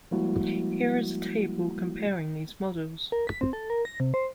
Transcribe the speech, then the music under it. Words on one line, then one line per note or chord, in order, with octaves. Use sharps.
Here is a table comparing these models.
F3 G3 G#3 A#3 E4 F#4
A#4
B6
C4
A4
A#4
A#6
C3
C5